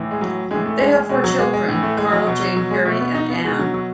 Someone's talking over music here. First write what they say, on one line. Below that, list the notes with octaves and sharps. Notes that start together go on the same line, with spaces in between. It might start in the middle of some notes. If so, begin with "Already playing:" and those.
They have four children: Carl, Jane, Harry, and Ann.
Already playing: A2 E3
G#3
F#3
A2 E3 G#3
A3
G#3
G#3
B2 G#3
F#3
G#3
G#3
A2 E3
A3
G#3
F#3
B2 F#3
F#3
F#3
G#3
B2 A3
B3
D#4
B3
B2 G#3
F#3
F#3